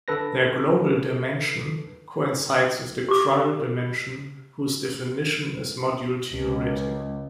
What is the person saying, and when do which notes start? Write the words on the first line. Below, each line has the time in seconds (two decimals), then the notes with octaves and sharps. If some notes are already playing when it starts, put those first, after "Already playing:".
Their global dimension coincides with the Krull dimension, whose definition is module-theoretic.
0.08 D3 A4 B4 A#6
3.09 G4 D6
6.31 C#2